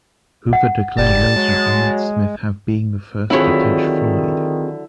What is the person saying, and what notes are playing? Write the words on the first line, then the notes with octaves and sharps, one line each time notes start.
Hoover declared later on that Smith have being the first to touch Floyd.
F#5
F#1 G3 A5
F#3 G#3
D3 D#3 F#3 C4 E4 F4 G#4 C#5